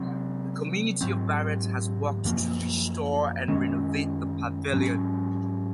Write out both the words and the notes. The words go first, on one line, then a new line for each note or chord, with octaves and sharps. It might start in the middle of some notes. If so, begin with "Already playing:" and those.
The community of Barrett has worked to restore and renovate the Pavilion.
Already playing: C3 F#3 C4
G#2 F#3 C4
F#2 F3 A#3
F#2 D#3 G#3 C#4
G#2 F#3 C#4